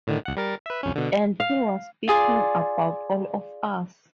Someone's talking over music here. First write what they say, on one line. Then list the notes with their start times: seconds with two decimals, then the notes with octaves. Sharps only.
And he was speaking about all of us.
0.07 A2 D3 D#3
0.25 C#2 F#5
0.37 G3 A#4 A6
0.66 B4 E5
0.83 C2 F2 C#4
0.95 B2 D3
1.40 F5
2.08 F4 G#4 D5